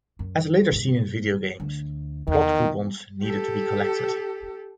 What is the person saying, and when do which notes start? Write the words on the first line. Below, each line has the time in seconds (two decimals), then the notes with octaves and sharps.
As later seen in video games, "plot coupons" need to be collected.
0.19 F#2
0.72 G2 A#2
1.60 D2
2.27 E2 D#3
3.22 G4 A4